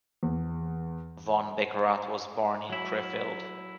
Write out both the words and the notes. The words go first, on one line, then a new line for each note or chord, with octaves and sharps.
Von Beckerath was born in Krefeld.
E2
F#3 E4